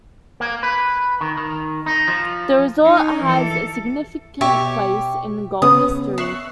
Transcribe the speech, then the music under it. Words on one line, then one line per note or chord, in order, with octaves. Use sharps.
The resort has a significant place in golf history.
A#3
B4
D#3
D#3
D#4
F3
D#4
E3 A4
B2 G4 C#5 E5
C#3 B3 C#4 D#6
E5 C#6 F#6 C7